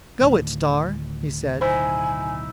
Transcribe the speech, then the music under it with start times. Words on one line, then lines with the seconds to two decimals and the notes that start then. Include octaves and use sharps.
"Go it, Star!" he said.
0.21 D2 A2 D#3
1.61 B1 D#4 E4 C5 G#5